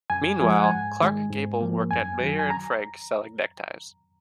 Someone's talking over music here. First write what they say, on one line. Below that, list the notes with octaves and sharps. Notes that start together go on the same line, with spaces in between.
Meanwhile, Clark Gable worked at Meier and Frank selling neckties.
F#2 G#5
F3 G#3 G#5
F#5
G#5
G#2
D#3 G#3
G#2
F3 A#3
F#2 G#5
D#3 F#3
G#5
A#5